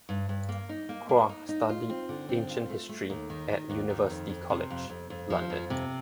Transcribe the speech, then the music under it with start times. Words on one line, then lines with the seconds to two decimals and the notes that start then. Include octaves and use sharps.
Croix studied ancient history at University College, London.
0.09 G2
0.29 G2
0.49 A#3
0.69 D#4
0.89 A#3
1.09 A#3
1.29 D#4
1.49 D#4
1.69 F4
1.90 C4
2.09 D3
2.29 C4
2.49 F4
2.70 A3
2.89 A3
3.10 D#2
3.30 D#3
3.49 D#3
3.69 D#2
3.90 D#3
4.10 F2
4.29 F2
4.50 C3
4.70 F2
4.90 F2
5.10 F2
5.30 F3
5.50 F2
5.70 C3